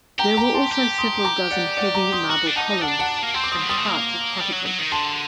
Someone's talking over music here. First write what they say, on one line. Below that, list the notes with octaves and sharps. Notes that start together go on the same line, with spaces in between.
There were also several dozen heavy marble columns and parts of catapults.
G4 G5 A#5
G5 A#5
A5 C6
G4
C6 D#6
C6
A#5 D6
D5 F#5
D5 F#5
A#5 D6
C6 D#6
F#4 A#5 D6
D4
D#4 F#5 A5
D4 F#5 A5
F#5 A5
A#3
C4 A5 C6
D6
C6 D#6
F#3
G3 C6 D#6
A3
A#3
G3
F#3
F#3
D#3
D3 A5 C6